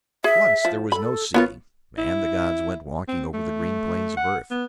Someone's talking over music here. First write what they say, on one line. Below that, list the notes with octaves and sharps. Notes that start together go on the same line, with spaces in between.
Once there was no sea, and the gods went walking over the green plains of earth.
G#4 E5
F3
A4 B5
B3 F4 A#4 C#5
E4
C4
A3
F#5
B3